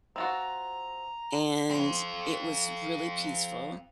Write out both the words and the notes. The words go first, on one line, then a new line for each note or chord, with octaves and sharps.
and it was really peaceful.
C4 F4 F#4 A#5
C4 F4